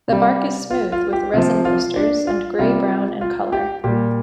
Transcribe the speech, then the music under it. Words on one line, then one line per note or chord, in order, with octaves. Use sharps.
The bark is smooth with resin blisters and grey-brown in colour.
C3 G3
F4
F4
G4
C3 F3 F4
F4
D4
F4
C3 G3 F4
F4
G4
A#2 G3 G4